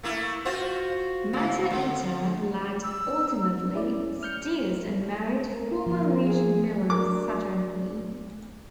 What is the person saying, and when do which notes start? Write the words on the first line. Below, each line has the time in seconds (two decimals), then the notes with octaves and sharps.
Matter-Eater Lad ultimately seduced and married former Legion villain Saturn Queen.
0.03 A3 A#3 E4
0.45 F4 F#4 C5
1.33 C#3
1.71 D3
2.84 E6
3.74 C#4 E4 D5
4.23 F6 G6 C#7
4.71 A3
5.50 A#3
5.86 F3
6.23 G#4
6.90 D4 F#4 A#4 D6